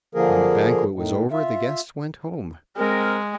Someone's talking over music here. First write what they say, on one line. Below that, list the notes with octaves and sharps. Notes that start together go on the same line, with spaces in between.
When the banquet was over the guests went home.
D3 F3 A#3 G#4 A#4
A2 D#3
F4 E5
G#3 C4 A#4